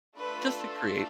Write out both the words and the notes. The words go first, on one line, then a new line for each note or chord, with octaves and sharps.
Just to create.
A3 D4 F4 A4 B4